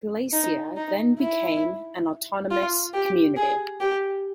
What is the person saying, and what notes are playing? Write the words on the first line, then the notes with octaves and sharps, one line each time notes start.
Galicia then became an autonomous community.
D#4
D#4
E4
F4
G4
G#4
G4